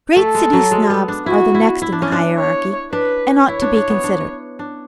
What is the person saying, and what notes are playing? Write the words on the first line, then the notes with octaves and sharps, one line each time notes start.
Great City Snobs are the next in the hierarchy, and ought to be considered.
A3 A4
G#3
F#3
G#3
B3
D4
E4 F#4
E4
E4
D4
C#4
D4
C#5
D4 B4
E4 C#5
D4
D4
B3
D4
D4